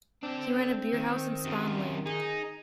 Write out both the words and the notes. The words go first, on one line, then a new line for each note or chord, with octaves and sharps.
He ran a beer house in Spon Lane.
C4 D4 A4
D#3
F#2 C3
D#4 G#4